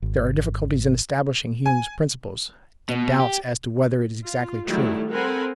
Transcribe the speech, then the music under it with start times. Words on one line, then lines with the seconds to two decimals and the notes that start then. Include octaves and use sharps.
There are difficulties in establishing Hume's principles, and doubts as to whether it is exactly true.
0.02 G#1
1.66 G#5
2.89 B2
3.20 G4
4.24 F4
4.65 D#3 F#3 G3 A3 E4
5.10 C4 A4 A#4 F#5 G#5 B5